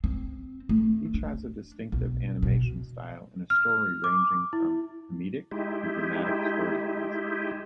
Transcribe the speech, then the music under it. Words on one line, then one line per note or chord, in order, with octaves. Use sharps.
Each has a distinctive animation style and story ranging from comedic to dramatic storylines.
C4
A3
D4
B1
B2
F6
D6
E4
G#3 D#4 E4 G4